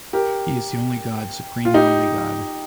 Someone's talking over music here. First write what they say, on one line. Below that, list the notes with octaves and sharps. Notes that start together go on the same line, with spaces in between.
He is the only God, supreme and only God.
G4 A#4
F4
D#4 G4